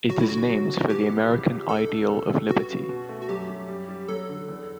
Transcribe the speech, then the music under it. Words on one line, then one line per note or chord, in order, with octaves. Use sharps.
It is named for the American ideal of liberty.
F#3 F#4
E4
D3 F#4
F#3
B2
E3 G4
B3
C#2
C#2
C#2 A4
D4
C#2
G3
B3 F#4
C#3
B2
A3
F#4
F#2 G4
F#2
G3
G3
F#3 A4
D3
E2